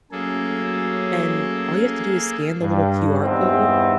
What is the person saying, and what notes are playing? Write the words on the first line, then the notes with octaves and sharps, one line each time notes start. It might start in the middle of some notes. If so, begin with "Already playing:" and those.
and all you have to do is scan the little QR code,
F#3 A3 A#3 C#4 G#4 A4
G2
E2 G2 D#3 E3 B3 C4